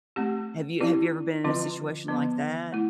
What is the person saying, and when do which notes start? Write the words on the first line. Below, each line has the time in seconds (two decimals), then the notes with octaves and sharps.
Have you have you ever been in a situation like that?
0.16 A3 C4 G4
0.80 C4 E4 G4 D5
1.44 D3 F3 C4 F4 B4
2.08 D3 F3 B3
2.72 A3 E4